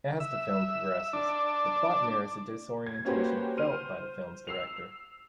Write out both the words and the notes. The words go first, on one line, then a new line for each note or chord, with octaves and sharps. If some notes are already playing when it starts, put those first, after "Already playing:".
As the film progresses, the plot mirrors the disorientation felt by the film's director.
E5
D4
G#6
A#3 C#4 F#4 G4 B4 C5
C5 F6 D#7
E6 C7 F7